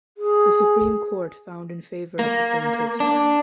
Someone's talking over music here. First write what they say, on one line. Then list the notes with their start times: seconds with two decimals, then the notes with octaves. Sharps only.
The supreme court found in favor of the plaintiffs.
0.17 G#4
2.19 A#3
3.00 D4